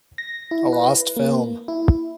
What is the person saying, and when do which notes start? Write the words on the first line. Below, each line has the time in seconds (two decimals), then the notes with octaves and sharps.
A lost film.
0.18 A#6
0.51 E4
0.73 B4
1.16 A#3
1.68 E4